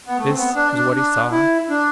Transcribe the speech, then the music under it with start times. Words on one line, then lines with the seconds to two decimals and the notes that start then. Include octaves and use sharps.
This is what he saw.
0.07 B3
0.17 A3
0.27 C4
0.36 B3
0.55 D4
0.74 D4
0.94 D4
1.31 E4
1.69 D4